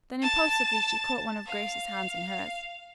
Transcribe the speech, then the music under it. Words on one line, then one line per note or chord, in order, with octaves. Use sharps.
Then impulsively she caught one of Grace's hands in hers.
A5
F5